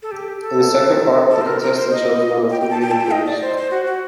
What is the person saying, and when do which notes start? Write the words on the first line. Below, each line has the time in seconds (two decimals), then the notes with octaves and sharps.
In the second part, the contestant chose one of three hidden clues.
0.02 A4
0.11 G4
0.41 A4
1.31 A4
1.41 C5
1.46 A#4
1.61 A#4
1.76 C5
1.91 D#5
2.51 G5
2.61 G5
2.70 A5
2.82 G5
2.91 A5
3.01 G5
3.11 D#5
3.26 D5
3.42 C5
3.57 C5
3.71 F#4
3.86 F#4